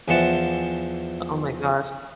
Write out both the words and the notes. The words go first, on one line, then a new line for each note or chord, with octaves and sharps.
Oh my gosh.
E2 E3 F3 F#5 A5